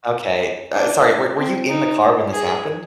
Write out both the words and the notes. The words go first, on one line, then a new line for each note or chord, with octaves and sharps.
Okay, uh, sorry, were were you in the car when this happened?
D4
C4
D#4
G#4